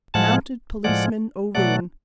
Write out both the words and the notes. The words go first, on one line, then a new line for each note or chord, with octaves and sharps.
Mounted Policeman O'Roon.
A2 F3 G#3 F#5 A5
A2 F3 G#3 D5 F#5
B2 F#3 A3 D5 F#5